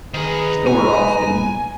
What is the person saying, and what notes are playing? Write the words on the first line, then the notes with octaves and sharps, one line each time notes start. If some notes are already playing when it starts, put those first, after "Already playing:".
so we're off and
D#3 D#4 G#4 B4 A#5
G#5